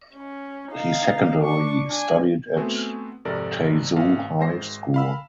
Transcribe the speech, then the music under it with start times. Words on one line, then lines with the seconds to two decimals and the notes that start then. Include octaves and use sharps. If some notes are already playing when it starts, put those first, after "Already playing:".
He secondary studied at Taizhou High School.
0.14 C#4
0.72 D#4 F5
1.40 D4 C#6
1.87 D4 G#5
2.56 A3 B3 C4 F#4 G#5
3.25 G#1 F2 C3 A4 A#4 D5
3.96 G#1 F5
4.39 G#1 G#2 C5 A#6 C7
4.94 F5 B5 E6